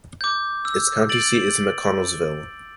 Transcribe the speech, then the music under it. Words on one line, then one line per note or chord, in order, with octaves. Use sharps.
Its county seat is McConnelsville.
D6 G6
E6
A6 D7 F#7